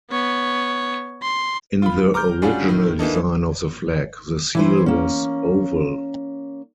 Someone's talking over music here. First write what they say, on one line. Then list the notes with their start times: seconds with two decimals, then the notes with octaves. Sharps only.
In the original design of the flag, the seal was oval.
0.11 B3 C#5
1.22 C6
1.82 F4 B5
2.14 A#5 D6 F6 G6
2.42 G3 C#4 D4 F4 F#4 G#4
2.68 A2 D#3
2.99 E3 A#3 D4 D#4 A4
4.55 E3 E4 C5
4.86 A#3 C#4